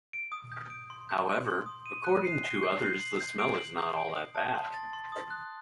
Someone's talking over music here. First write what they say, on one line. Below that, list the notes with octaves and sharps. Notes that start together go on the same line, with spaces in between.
However, according to others the smell is not all that bad.
D7
D#6
G6
D7
C6
G6
G6
C6
D#6
D#7
F#6
C7
G7
G6
C7
F#7
G6
D7
F#7
G6
D7
D#6
A5
C6
A6
C6
D#6
F#6